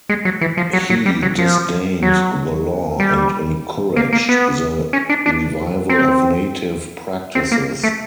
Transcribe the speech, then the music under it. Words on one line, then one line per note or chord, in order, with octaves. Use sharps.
He disdained the law and encouraged the revival of native practices.
G#3
F#3
E3
F3
F#3
F#3
G3
F#3
F3
F#3
G3
A#3
A#3
B3
C#4
D4
D4
C4
C4
A#3
A3